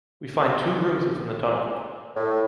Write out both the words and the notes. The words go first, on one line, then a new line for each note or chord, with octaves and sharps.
We find two rooms within the tunnel.
A2